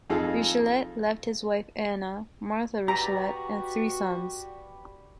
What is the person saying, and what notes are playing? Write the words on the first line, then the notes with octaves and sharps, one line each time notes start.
Reichelt left his wife Anna Martha Reichelt and three sons.
F2 D#4 F4 G#4 A4
F#4 G4 B4 D5 A#5